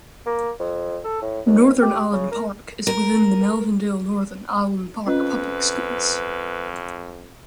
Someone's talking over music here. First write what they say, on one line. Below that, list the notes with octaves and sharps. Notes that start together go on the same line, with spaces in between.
Northern Allen Park is within the Melvindale-Northern Allen Park Public Schools.
A#3
F2
A4
A2
D#2
G4
C#3
A#4
A#4
F2 C#4 F4 B4 D#5